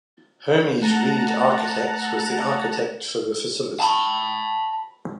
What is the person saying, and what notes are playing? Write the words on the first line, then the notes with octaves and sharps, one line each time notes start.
Hermes Reed Architects was the architect for the facility.
A3 F#5 A5 A#5
A5 B5